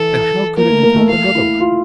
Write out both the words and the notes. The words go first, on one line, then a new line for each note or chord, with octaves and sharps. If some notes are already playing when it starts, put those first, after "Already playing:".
And how could it have happened otherwise?
Already playing: E3 A4
A#3 A#4
A3
A#3
A3
A3 F5
E4
F4